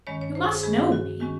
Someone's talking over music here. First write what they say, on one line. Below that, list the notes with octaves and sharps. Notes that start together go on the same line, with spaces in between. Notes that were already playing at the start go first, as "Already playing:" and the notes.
You must know me!
G2 D#3 G#3 C#4 C#5
C#5
C5
G#4
G2 D#3 G#3 C#4 G#4
F#4
D#3 G#3 C#4 F#4